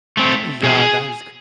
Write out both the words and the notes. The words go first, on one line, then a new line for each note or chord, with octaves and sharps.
Yeah, that is c
A3 C4
B2 G#4